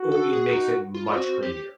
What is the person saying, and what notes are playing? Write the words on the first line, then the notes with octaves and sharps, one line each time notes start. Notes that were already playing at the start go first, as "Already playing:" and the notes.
ooh it makes it much creamier.
Already playing: F#4
A4
G#4
D#4
F4
F4
C4 F#4
G4